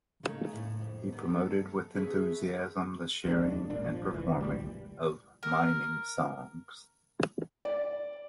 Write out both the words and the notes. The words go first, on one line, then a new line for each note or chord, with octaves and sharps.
He promoted with enthusiasm the sharing and performing of mining songs.
C#3 A3 A#3 D#4
D#2 A2
F2
D#3 B3 G4
F#2 A4
A3 A#3 C#4 G#4 B4 E5
E1 D#2 G#3 D4
G#1 A#2 D4
F3
F1 E3
C#2 A#2 G3
A#4
D5